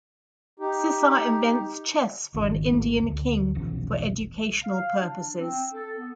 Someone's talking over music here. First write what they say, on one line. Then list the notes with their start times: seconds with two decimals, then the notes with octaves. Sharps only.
Sissa invents chess for an Indian king for educational purposes.
0.60 D#4 G4
2.34 G#1 C#2 D#3
2.73 G#1 C#2 A3
3.03 D2
3.55 F1 B1 E3 C#4
4.64 F5
5.01 D4
5.40 C4
5.74 A4
5.96 B3